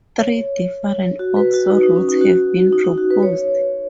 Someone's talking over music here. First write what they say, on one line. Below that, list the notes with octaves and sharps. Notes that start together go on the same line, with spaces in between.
Three different oxo-routes have been proposed.
C#5
F#4
B4
F#4
D#4
D#4
C#4
D#4
F#4
D#4
D#4
F#4
B4
C#5